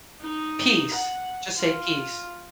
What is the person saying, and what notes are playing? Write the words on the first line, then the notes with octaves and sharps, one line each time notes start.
Peace, just say, peace.
D#4
F#5
F4